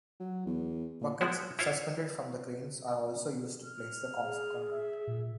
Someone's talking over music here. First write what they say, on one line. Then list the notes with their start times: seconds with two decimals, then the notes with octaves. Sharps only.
Buckets suspended from cranes are also used to place the concrete.
0.20 F#3
0.46 E2
1.01 A#2
1.21 F3 G#3 B3 E4 F#4
1.59 E4 F4 C5 C#5
3.64 F6
4.22 G#4
4.71 E5
5.07 A#2